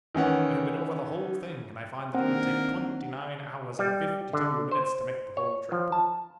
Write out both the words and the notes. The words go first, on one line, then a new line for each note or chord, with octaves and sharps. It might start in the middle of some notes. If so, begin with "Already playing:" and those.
I have been over the whole thing and I find that it would take twenty-nine hours and fifty-two minutes to make the whole trip.
D#3 E3 C#4 F#5
D#3 A#3 C4 D4 A#4 F#5
G3
D3
C5
C#5
F3
A5